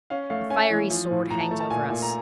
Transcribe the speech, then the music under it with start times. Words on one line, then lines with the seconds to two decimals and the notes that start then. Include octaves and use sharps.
A fiery sword hangs over us.
0.10 C#4 F5
0.30 A3 F5
0.50 C#4 G#5
0.70 E3
0.90 F3
1.11 A2
1.30 A2 A#5
1.41 A5
1.51 A3
1.60 A5
1.70 A#2 G#5
1.91 A#2
2.02 A#5